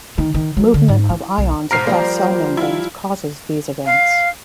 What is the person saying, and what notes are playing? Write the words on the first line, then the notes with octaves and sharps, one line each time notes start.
Movement of ions across cell membranes causes these events.
D#3
D#3
F#3
D3
G#2
E4
B1
B1 G#2 C5 A#5 F6 C7 D7
F3 G3 A#3
E4 F4
F5